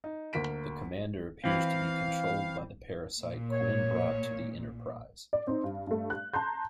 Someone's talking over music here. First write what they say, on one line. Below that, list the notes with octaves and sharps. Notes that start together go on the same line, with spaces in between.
The commander appears to be controlled by the parasite Quinn brought to the "Enterprise".
D#4
D2 A#3 B6 D7
E3 C4 F5
A#2
C#5
D5
C4 D#4
G2
G2 A3
F#6
A5 A#5 C6 G6